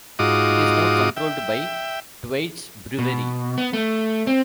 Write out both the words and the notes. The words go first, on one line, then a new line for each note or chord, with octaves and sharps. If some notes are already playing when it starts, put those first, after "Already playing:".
It is now controlled by Thwaites Brewery.
G#2 D#4 F4 F#4 D6 D#6
E5 G5
B2
B3
A3
C4